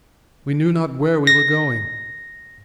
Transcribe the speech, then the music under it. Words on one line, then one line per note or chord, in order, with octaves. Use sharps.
We knew not where we were going.
A#6